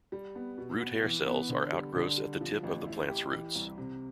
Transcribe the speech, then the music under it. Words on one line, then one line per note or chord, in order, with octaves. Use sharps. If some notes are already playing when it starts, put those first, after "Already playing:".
Root hair cells are outgrowths at a tip of the plant's roots.
G3
B3
B2
B3
E3
B3
D3
G3
D3
G3
F3
A1
E4
G4
E3
C2
C3